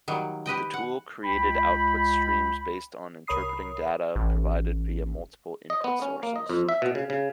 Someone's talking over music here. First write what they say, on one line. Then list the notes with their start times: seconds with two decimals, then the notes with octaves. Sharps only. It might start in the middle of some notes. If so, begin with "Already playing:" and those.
The tool created output streams based on interpreting data provided via multiple input sources.
0.08 D#3 F#3 G3 A#3
0.46 G4 B4 D#5 G5
0.74 F#5
1.24 C#2 G5 B5
3.27 C2 A#4 C#5 B5 D#6 C7
4.16 A1
5.70 D#5
5.84 B3
6.02 C#4
6.23 A#3
6.36 D#5
6.49 F2
6.69 E5
6.82 B2
6.95 C#3
7.10 C#3